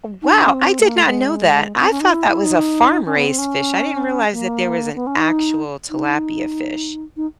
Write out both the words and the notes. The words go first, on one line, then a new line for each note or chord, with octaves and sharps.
Wow, I did not know that, I thought that was a farm-raised fish, I didn't realize that there was an actual tilapia fish.
D#4
D4
C#4
C4
A3
A#3
A3
G#3
C4
C#4
D#4
E4
E4
D#4
C#4
B3
C4
C#4
A#3
B3
C#4
D#4
D#4
D#4